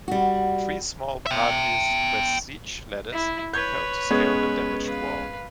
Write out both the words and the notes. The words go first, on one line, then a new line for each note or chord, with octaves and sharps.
Three small parties with siege ladders failed to scale the damaged wall.
G3 F#4
E5 G5
E4
B4 C#5 G6 G#6
G#3 B3 C#4
B4 F5